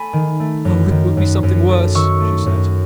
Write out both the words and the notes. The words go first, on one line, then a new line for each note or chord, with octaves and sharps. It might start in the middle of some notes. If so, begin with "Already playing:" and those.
'Oh, it will be something worse,' she said.
Already playing: A3 G#5 B5
D#3
A3
F#2
D#3
F#2
F#2
A3
D#3 C#6 E6
A3
F#2